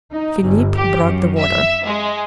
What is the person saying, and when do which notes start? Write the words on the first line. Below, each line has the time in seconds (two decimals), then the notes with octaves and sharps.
Philip brought the water.
0.12 D#4
0.41 G1
0.74 G4
1.05 F#2
1.40 E5
1.85 G#3